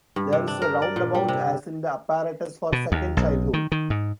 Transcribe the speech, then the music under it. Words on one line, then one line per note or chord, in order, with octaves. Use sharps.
There is a roundabout as in the apparatus for second childhood.
G2
C3
D4
A#4
D5
A#2
G3
C3
B2
D#2
B1
D#3
D#3
G#2